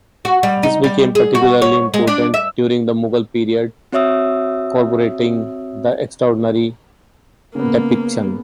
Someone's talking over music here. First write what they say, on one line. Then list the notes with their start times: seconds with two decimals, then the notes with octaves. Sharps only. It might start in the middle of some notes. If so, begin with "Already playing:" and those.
This became particularly important during the Mughal period corroborating this extraordinary depiction.
0.25 F#4
0.43 G3
0.63 D#4
0.84 G3
1.15 G#4
1.35 F#4
1.62 C#5
1.94 G#3
2.07 D4
2.34 E5
3.92 C4 F#4 C#5 E5 D#6 E6
7.55 C#3 A#3 B3